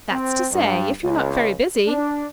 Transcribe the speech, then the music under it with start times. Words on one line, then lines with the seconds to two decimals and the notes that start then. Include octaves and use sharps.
"That's to say if you're not very busy."
0.11 C4
0.52 G2
1.03 C#2
1.86 D4